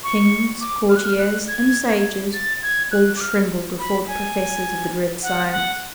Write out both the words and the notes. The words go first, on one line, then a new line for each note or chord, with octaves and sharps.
Kings, courtiers, and sages, all trembled before the professors of the dread science.
C#6
D6
F6
F#6
F6
F#6
G#6
A6
G#6
F#6
D6
F6
B5
G#5
F#5
F#5